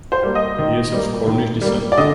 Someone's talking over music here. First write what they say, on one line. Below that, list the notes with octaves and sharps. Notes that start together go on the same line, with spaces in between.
He is of Cornish descent.
C5
G3 A#3
D#5
D#3
G3
A#3
D#3
G3 A#3
D5
D3 D#5